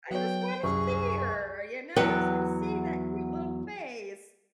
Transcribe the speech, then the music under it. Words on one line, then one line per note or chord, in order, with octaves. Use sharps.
I just wanna see her, you know, I just wanna see that cute little face.
F#3 B3 C#5 G5
C2 F#2 G#4 C#6
E2 F#3 B4 G5